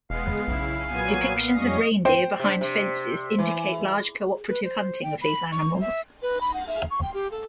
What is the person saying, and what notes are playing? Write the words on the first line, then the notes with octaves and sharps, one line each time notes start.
Depictions of reindeer behind fences indicate large cooperative hunting of these animals.
E1 G#3 B3 F5
B1 C#3 E4
A#2 F#3 B3 G#5
F2 G3 C#4 D#5 C#6 D#6
C5 G5 C6
C3 D4
C3
E3
B4
C5
G5
B5
C#6
E5
B4
B5
F#5
E5
C#6
G5
G4
A4